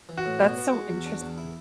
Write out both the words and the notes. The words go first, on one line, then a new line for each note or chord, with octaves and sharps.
That's so interesting.
E3
F#4
A2
B2
B3
G#3
E2
D4
E2
E4